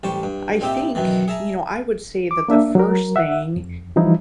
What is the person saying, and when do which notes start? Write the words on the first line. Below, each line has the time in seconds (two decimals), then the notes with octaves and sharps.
I think you know, I would say that the first thing
0.03 A1 G3 C5 A5 C#6
0.23 G2
0.61 A#2 C4 D#4 G4 E5
0.95 F#2 B2 D#3 E3
1.28 G#4 E5 A5 A#5
2.31 D6
2.48 A#3 D4 E5
2.75 F#3 A#4
3.16 E5 F#5
3.56 F2
3.96 E3 F3 G3 D#4 E4